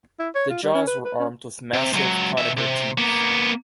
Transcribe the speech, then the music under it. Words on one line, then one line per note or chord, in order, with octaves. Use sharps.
The jaws were armed with massive conical teeth.
E4
C#5
F4
G3
C#4
B4
B4
C#4
C3
C#2 F#3
B2 E5
C3
A#3 B3